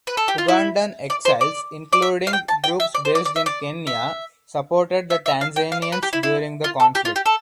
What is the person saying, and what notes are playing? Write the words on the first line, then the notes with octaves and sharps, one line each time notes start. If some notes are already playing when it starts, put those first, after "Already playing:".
Ugandan exiles including groups based in Kenya supported the Tanzanians during the conflict.
B4
A4
G4
F4
E4
D5
C5
D5
D5
E5
F5
G5
A5
G5
E5
D5
C5
D5
D5
E5
D5
E5
E5
E5
F5
G5
F5
D5
B4
G4
E4
E4
F4
A4
G4
F4
G4
A4